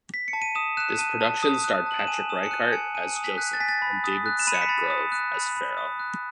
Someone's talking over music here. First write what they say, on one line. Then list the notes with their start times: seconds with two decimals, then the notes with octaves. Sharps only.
This production starred Patrick Ryecart as Joseph and David Sadgrove as Pharaoh.
0.14 B6
0.28 C#7
0.33 A5
0.42 D#7
0.55 D#6 E7
0.77 F#6 E7
0.99 A5 D#7
1.21 A5
1.43 D#6
1.64 F#6
1.86 A5 F#7
1.99 E7
2.07 G#5 D#7
2.29 D#6 E7
2.43 C#7
2.51 F#6 D#7
2.72 G#5 C#7
2.95 G#5 D#7
3.16 D#6
3.24 B6
3.38 F#6
3.53 A6
3.60 G#5 B6
3.69 A6
3.82 B5
4.04 D#6
4.26 F#6
4.39 E7
4.47 B5 D#7
4.54 C#7
4.62 B6
4.69 B5 A6
4.90 D#6
5.12 F#6
5.34 B5
5.57 B5
5.78 D#6
6.00 F#6